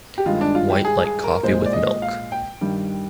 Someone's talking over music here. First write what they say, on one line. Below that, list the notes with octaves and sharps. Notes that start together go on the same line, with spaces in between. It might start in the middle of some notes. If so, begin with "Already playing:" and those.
White like coffee with milk!
G4
G2 D#3 G#3 F4
D4
F4
G4
G#4
G#4
A#4
A#2 G#3 C5
D5
D#5
F5
G5
G2 D#3 G3